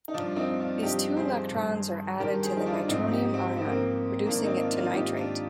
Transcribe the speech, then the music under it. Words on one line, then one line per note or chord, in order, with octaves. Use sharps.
These two electrons are added to the nitronium ion, reducing it to nitrite.
D#4
G2 F3 D4 F4
C4 D#4
D4 F4
G2 F3 D#4 G4
G#4 C5
G2 D#3
G2 D#3 G4 A#4
G#4 C5
D#4
D4 F4
G#2 F3 C4 D#4
D#4 G4
C4
G#2 F3 C4
A#3
C4
G#2 D#3 A#3 D4
C4 D#4
D4 F4
D4 F4
G#2 D#3 D#4 G4
D4 F4